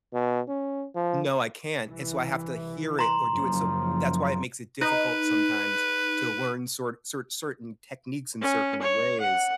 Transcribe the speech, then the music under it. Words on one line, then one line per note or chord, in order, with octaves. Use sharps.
no, I can't. And so, I have to hear it or do it. So, that's why it makes it difficult sometimes to learn sor cer certain techniques in certain ways.
B2
C#4
F3
C2 E3
A#5 C6
F#1 F3
D#4 B4
C#4
C#5
F#5